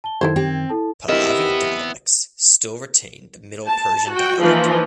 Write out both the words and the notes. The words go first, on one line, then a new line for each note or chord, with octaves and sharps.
Pahlavi dialects still retain the Middle Persian dialect.
A5 G7
F#2 D#3 E4 A4 C5 G#6
C4 G4
E4 A4 A5
B3 C4 E4 G4 A#4 D#5 E5
A5
F#4 G5
E3 F3 A#3 D#4 F4